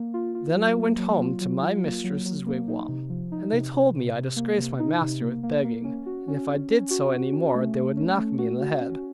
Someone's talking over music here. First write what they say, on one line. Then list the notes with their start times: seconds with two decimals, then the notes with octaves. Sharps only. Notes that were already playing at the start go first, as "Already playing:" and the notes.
Then I went home to my mistress's wigwam; and they told me I disgraced my master with begging, and if I did so any more, they would knock me in the head.
Already playing: A#3
0.14 F4
0.35 F4
0.56 F#3
0.77 A#3
0.99 F#3
1.20 F4
1.41 F#3
1.62 F4
1.84 A#3
2.04 F#3
2.25 F#3
2.46 A#3
2.68 D#4
2.88 C3
3.09 F3
3.32 D#4
3.53 C3
3.74 C3
3.95 C3
4.15 C3
4.36 A#3
4.58 C3
4.80 D#4
5.01 C3
5.21 A#3
5.43 A#3
5.64 A#3
5.84 C#4
6.06 F#4
6.28 C#4
6.49 C#4
6.70 C#4
6.90 F#4
7.12 F#4
7.33 C#4
7.55 A3
7.75 A3
7.97 C#4
8.18 A3
8.38 F#4
8.60 F#4
8.81 C#4